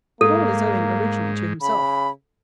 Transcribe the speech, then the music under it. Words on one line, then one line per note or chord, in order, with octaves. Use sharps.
But all is owing originally to himself.
G#2 A#3 A4
C#3 B5